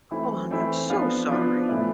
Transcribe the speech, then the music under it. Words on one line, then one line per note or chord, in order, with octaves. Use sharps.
Oh, honey, I'm so sorry.
E3 A3 C4 E4
E3 A3 C4 E4
F3 B3 D4 F4
F3 B3 D4 F4
A2 E3 A3 E4